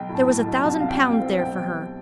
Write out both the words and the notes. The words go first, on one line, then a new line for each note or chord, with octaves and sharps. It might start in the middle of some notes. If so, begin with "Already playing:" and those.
There was a thousand pounds there for her!
Already playing: B1 G5
A2
A5
A2
A5
B1
C2 A5
C2 F5
G5
C2
F5
C4
B1 G5